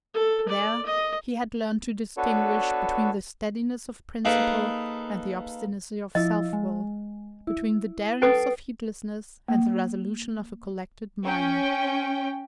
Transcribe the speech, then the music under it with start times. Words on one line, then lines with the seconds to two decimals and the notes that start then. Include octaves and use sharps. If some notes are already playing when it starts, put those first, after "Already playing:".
There, he had learnt to distinguish between the steadiness of principle and the obstinacy of self-will, between the darings of heedlessness and the resolution of a collected mind.
0.14 A4
0.49 D5
0.86 D#5
2.17 B3 D4 F#4 A4 B4 C#5
4.25 A#3 D#4 G#4 A4 B4 D6
6.15 F3 E4 D#5
6.53 G#3
7.47 E4
8.22 C#4 A4 B4 D#6 C7 D7
9.48 A#3
11.24 C#4 G5